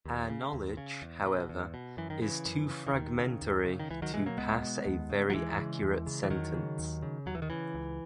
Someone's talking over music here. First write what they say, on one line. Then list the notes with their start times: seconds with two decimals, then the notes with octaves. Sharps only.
Our knowledge, however, is too fragmentary to pass a very accurate sentence.
0.05 D#2
0.30 C#3
0.53 D#2
0.77 C#3
1.02 E2
1.26 B2
1.49 E2
1.74 B2
1.97 F#2 E3
2.10 D#3
2.21 C#3 E3
2.46 F#2
2.70 C#3
2.87 E3
2.93 D#2 D#3
3.18 C#3
3.42 D#2
3.66 C#3
3.80 D#3
3.90 C#2 E3
4.02 D#3 F#3
4.14 B2 E3 G#3
4.26 F#3 A#3
4.38 C#2 G#3 B3
4.62 B2
4.86 D#2
5.10 C#3
5.30 F#3
5.34 D#2 E3 G#3
5.59 C#3
5.82 E2
6.06 C#3
6.23 E3
6.30 E2 D#3 F#3
6.54 C#3
6.79 D#2
7.02 C#3
7.26 D#2 F#3
7.35 E3
7.42 D#3
7.50 C#3 E3
7.74 C#2